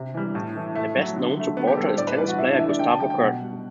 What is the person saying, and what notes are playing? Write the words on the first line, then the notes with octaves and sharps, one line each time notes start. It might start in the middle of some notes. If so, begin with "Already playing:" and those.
Their best known supporter is tennis player Gustavo Kuerten.
Already playing: C3
E3 G3
A2
E3 A3
A2 A3
F#3 A3
D3
F#3 A3
D3 B3
G4
G3 A4
C5
A2 D5
B4
E3 G3 B4
F#4
A2 E4
D4
E3 A3 E4
D5
D3 G5
A5
F#3 A3 G5
G5
B2 F#5
G3